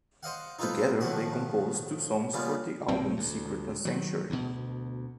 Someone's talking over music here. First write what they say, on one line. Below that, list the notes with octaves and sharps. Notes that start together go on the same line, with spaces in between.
Together they composed two songs for the album, "Secret" and "Sanctuary".
C5 D#5 F5 F#5
D#4 F4 A4 B4 C5
F2 A2 D#3 F3 F#4 F#5
C#3 G3 A#3 B3 F4
B1 A#2 D#3 C4
D2
D#3 F#3
D2 B2